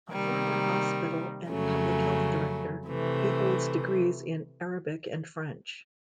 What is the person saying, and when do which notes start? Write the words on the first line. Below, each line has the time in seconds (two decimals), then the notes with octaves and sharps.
A former hospital and public health director, he holds degrees in Arabic and French.
0.12 C3 D#3 G3 A#3
1.49 F2 C#3 F#3 A3 C#4
2.87 C3 E3 A3